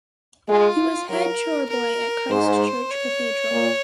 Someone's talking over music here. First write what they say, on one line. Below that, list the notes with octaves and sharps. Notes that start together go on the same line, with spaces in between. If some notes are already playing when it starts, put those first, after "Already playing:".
He was head choirboy at Christchurch Cathedral.
G#3 F4
F#3 A#4
A#4
G#2 C5
C#5
A#2